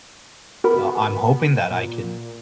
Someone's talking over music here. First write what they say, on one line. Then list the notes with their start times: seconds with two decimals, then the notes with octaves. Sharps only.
uh, I'm hoping that I can
0.64 B3 F#4 A#4 B5
1.70 A#2